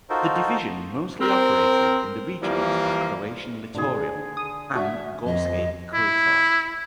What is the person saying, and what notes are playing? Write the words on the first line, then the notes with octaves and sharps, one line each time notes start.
The division mostly operated in the regions of Croatian Littoral and Gorski Kotar.
D#4 F4 F#4 A4 A#4 C5
C4 A#4
E3 F3 G3 A#3
G#2 B2 D3 D#3 G#4
D#6
D4 F#4 E5
F2 D#5
E4